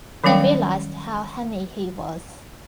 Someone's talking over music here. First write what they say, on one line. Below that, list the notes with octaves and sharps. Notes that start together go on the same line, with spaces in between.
He realized how hammy he was.
D#3 F#3 G3 C#4 F5 G5